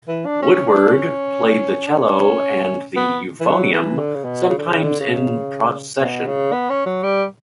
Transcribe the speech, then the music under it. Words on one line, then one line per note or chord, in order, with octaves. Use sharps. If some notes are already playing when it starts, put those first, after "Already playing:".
Woodward played the cello, and the euphonium, sometimes in procession.
E3
D4
C#4
D4
C#4
D4
C#4
B3
E3
F#3
E3
D3
C#3
B2
C#3
D3
C#3
D3
C#3
B2
C#3
B3
C#4
F#3
G3